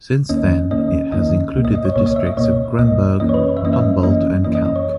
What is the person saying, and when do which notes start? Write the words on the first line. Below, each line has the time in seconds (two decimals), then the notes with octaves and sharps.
Since then it has included the districts of Gremberg, Humboldt and Kalk.
0.29 D#2 D#3 A#3 C#4 D#5
0.71 D#2 D#3 A#3 C#4 D#5
1.12 D#2 D#3 A#3 C#4 D#5
1.54 C#2 B2 A#3
1.65 D#5
1.75 D#5
1.85 C#5
1.96 C#2 B2 A#3 C#5
2.06 D#5
2.16 E5
2.27 D#5
2.37 C#2 B2 A#3 C#5
2.79 C#2 B2 A#3 D#5
3.20 F#2 E3 A#3 C#4 D#5
3.29 C#5
3.34 B4
3.57 E5
3.62 F#2 E3 A#3 C#4 D#5
3.73 E5
4.03 F#2 E3 A#3 C#4 D#5
4.44 F#2 E3 A#3 C#4 D#5
4.55 D#5
4.66 D#5
4.76 C#5